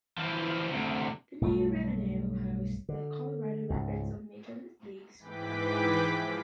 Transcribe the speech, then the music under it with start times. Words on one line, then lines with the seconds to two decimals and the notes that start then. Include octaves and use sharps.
The new venue hosts the Colorado Rapids of Major League Soccer.
0.18 E3 F3
0.72 D2 C3
1.41 B1 G2 F#3 A3
2.89 D3
3.70 C#2 G#2
5.19 G#2 E3 B4 G5 D6 B6
6.10 F3 G#3